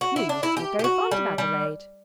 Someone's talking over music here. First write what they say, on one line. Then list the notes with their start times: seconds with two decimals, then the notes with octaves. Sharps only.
"You used to be very fond of Adelaide."
0.01 F#4
0.16 E4
0.29 D4
0.43 E4
0.57 G4
0.79 G4
0.84 F#4
1.11 G3
1.38 G3